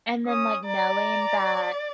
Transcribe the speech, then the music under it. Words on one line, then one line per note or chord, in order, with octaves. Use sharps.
And then, like, knowing that
C#4 D#6
D5 A#5